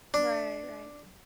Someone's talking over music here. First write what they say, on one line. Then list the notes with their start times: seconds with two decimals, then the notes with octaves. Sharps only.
Right, right.
0.14 D4